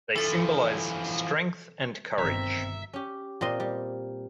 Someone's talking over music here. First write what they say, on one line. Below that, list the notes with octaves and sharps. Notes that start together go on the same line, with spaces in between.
They symbolise strength and courage.
E3 F3 A4 A6
G1 B2 D#3 C4 E5 A#5
C#4 G4
A#2 C4 D#5 C6
G3